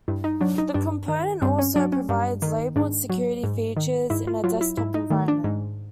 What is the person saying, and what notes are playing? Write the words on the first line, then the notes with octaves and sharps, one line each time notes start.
The component also provides labeled security features in a desktop environment.
G2 E4
D#4
F#3 D4
D#4
G2 D4
D#3
G2 C4
C#4
F#3 D4
C#4
G2
D#3
G#2 D4
F#3
G#2
D#3
G#2 E4
F4
F#3 F4
E4
G#2 E4
D#4
D#3 A3
D4
G#2